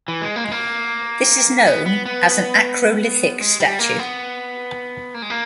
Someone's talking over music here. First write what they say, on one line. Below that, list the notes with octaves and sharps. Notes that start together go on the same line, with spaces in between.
This is known as an acrolithic statue.
E3
G#3
A#3
G#3
A#3
B3
B3
B3
G#3
G3
A#3
B3
A#3
G#3
A#3